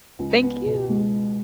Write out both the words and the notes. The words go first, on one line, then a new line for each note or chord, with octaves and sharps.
Thank you!
C#2
B3
B2
G#3